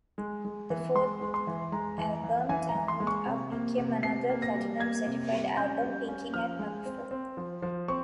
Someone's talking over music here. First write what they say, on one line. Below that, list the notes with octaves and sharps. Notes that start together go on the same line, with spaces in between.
The fourth album, "Tangled Up", became another Platinum certified album, peaking at number four.
G#3
G#3
E3
G#3 C6
G#3
C6
E3
G#3 A#5
E3
E3
E3 G#5
A#5
E3
C6
G#3
C#6
C3
A#3
C3
C3 C7
A#3
A#6
G3
A#3 G#6
C3
G3
C#4 G6
G3
C#4
F3 F6
G#3
C4
C4
F3
F3
C4 C#6